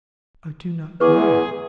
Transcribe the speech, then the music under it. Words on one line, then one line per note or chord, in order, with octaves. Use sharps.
"I do not know."
E2 B3 E4 G#4 B4 C#6 D6